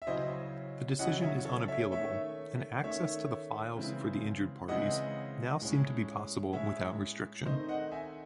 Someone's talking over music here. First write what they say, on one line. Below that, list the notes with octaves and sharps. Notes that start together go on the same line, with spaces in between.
The decision is unappealable and access to the files for the injured parties now seemed to be possible without restriction.
E5
C#3 F#3 C#4 E4 C5 D#5
C#3 F#3 C#4 E4 D#5 F#5
C#5 E5
A4 C#5
C#5 E5
D#3 A3 C#4 C#5 E5
D#3 A3 C#4 C#5 E5
C#3 E3 G#3 C4 E4
C#3 E3 G#3 C4 E4 D#5 F#5
A2 G#3 C#4
A2 G#3 C#4 C#5 E5
D#3 A3 C4 D#4 C5 D#5
D#5 F#5
E5 G#5